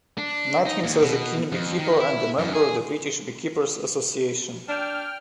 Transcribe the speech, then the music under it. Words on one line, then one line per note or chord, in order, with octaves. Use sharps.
Nutkins was a keen beekeeper and a member of the British Beekeepers' Association.
D4
D#4
D#2
B2
F2
D#3
E4
F#2
G#4
D4 G5 F6